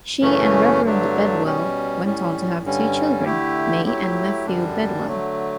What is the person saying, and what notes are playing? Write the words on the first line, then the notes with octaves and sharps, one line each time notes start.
She and Reverend Bedwell went on to have two children, May and Matthew Bedwell.
F#2 C#3 E3 A3 C#4
G2 D3 F#3 A3 D4
B2 G3 C#4
A2 G3 C#4
G2 D3 G3 C#4
D3 A3 E4 G4
F#3 A3 E4 G4
F#2 D3 G3 D4
D3 F#3 A3